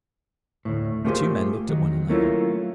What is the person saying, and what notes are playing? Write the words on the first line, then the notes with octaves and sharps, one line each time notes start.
The two men looked at one another.
D2 A2
A3 A#3 F4 G4 G#4 C5
D#3 F#3 D#4
F#3 A3 A#3 C#4 E4 F4